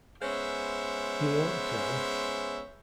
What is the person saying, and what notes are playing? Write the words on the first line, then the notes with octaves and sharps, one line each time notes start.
You won't tell?
G#3 B3 C#4 C5 E5